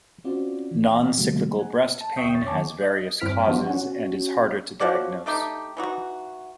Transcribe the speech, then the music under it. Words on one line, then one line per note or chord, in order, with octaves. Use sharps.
Noncyclical breast pain has various causes and is harder to diagnose.
C4 C#4 F4 F#4 D5
E3
C3 D#3 F#3 G3 A3 A#3
F#5 G#5
A5
D2 E5 G5 C#6 D#6 G6
C2 F2 C#5 C#6 A6
D#3 G#5 A5 D6
D#5
G2 C4 E4 F6 B6 D7
F3 B3 D4 F4 F#4
C#4 F#4
F3 F#4 C#5 D5
A3 D4 D#4 G4
E3 D#4 F#4